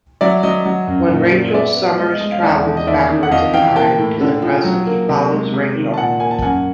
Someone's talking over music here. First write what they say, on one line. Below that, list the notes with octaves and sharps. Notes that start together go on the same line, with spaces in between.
When Rachel Summers travels backwards in time to the present, he follows Rachel.
F#3 D5 E5
F#3 D#5
F#3
F#2
A#2
A#2
B3 D5 E5
B3
G#3 D#5
D#5
G#3
F5
E2 D5 E5
E2
D#5
D#2 D5 E5
D#3
F#5
F2 D#5 F5
E3 F5 G5
A#3 G5 A5
A2
D3
F3
F#3
A#3
C3
G#3
C3
D#3
A5
A#2 F#5 G#5
A#3 G#5
A5
F#2 F#5 G#5